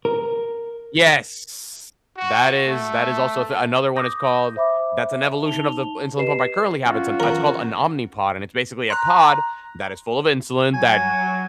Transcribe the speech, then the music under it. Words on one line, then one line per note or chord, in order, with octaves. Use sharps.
Yes. That is, that is also th another one, it's called, that's an evolution of the insulin pump I currently have. It's an it's called an Omnipod and it's basically a pod that is full of insulin that
A#4
F#4
A3
D6 D#6 G6 A#6
C5 E5 B5 D6
D#4 A5 F7 G7
G4 B4 D#5 C7 E7
F3 C#4 F4 F#4
A#4 A#5
A#5 C6 F#6
F#3 G#5